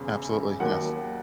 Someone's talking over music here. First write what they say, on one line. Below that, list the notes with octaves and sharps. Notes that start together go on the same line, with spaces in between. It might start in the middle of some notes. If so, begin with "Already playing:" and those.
Absolutely, yes.
Already playing: E1 E2 C#3
D#2 D#3 F#3 F#5